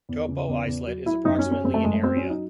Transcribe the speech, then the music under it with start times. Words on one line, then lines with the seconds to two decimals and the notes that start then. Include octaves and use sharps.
Topo Islet is approximately in area.
0.09 E2
0.28 C#3
0.48 E2
0.67 E2
0.87 F#3
1.06 F#3 E4
1.25 F#2 D#4
1.39 C#4
1.45 F#3
1.51 C#4
1.64 F#2 C4
1.74 A3
1.84 F#2 G#3
1.93 A3
2.03 F#3 C4
2.17 C#4
2.23 F#3
2.30 D#4